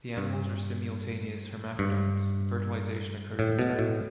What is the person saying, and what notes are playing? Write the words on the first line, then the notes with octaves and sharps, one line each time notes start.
The animals are simultaneous hermaphrodites, and fertilization occurs internally.
G2
G2
A2
B2
A2